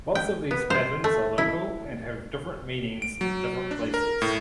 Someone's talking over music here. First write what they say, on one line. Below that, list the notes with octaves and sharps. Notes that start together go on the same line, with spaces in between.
Lots of these patterns are local and have different meanings in different places.
G5
B3
C5
A3
E4
D7
F#3
D4
A#4
A2